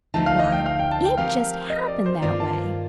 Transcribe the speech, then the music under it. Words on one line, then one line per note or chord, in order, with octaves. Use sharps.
Why, it just happened that way.
D2 D3 F3 A3 D#4 A5
F5
D#5
G5
F5
G5
A5
G5
F3 C4 G4 A#4 F5
D#5
D5
C5
C5
G2 D#3 A#3 F4 D5
A5